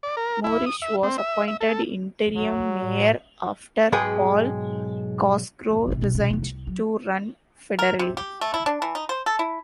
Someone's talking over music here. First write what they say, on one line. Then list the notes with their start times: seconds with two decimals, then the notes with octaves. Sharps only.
Morrish was appointed interim mayor after Paul Cosgrove resigned to run federally.
0.03 D5
0.17 A#4
0.44 E4
0.66 D#6
0.82 E5
1.03 C4
1.18 E5
1.48 E5
1.60 A4
2.36 F#3
2.82 A2
3.92 B1 G#2 G#3 G#4 B4 G5
5.88 A1 C3
6.01 B2 D#4
6.15 B2 C#4
6.31 F1 B3
6.42 C2
6.67 F#3
7.79 A#4
7.99 C3
8.17 G4
8.41 A3
8.54 E4
8.66 D4
8.82 E3
8.95 D#4
9.09 C5
9.26 A4
9.39 E4